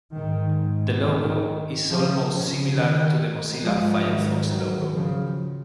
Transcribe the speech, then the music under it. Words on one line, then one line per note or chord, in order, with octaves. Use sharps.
The logo is almost similar to the Mozilla Firefox logo.
G#2 D#3
D#3
C#3 F3
C#3
D#3
G#2 F3 G#3
D#3 F#3
D#3 F#3
C#3 F3